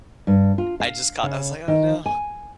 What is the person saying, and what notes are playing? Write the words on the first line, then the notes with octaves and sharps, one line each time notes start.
I just got I was like, "Oh no."
G2
F4
F5
C#3
D#3
G#5